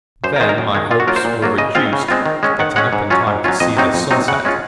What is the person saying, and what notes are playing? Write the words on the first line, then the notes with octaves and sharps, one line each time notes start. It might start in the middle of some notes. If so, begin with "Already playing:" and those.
Then my hopes were reduced to getting up in time to see the sunset.
F#2 C5
A#4
D#3 G#3 C5
A#4
F#2
D#3 G#3
A#2 F4
F#4
F#3 A#3 F4 A#4
C5
A#2
F#3 A#3 F4
C#3 D#5
G#3 C4 F4 F5
C#3
G#3 C4 F4
D#3
G#3 C#4
D#3 F#5
G#3 C#4 F#5
G#2
F#3 C#4 F4
G#2
F#3 C#4 F4
F2 D#5
C3 F#3 C4 D#4
F2
C3 F#3 C4 D#4
C#3 F#5
G#3 C#4 F4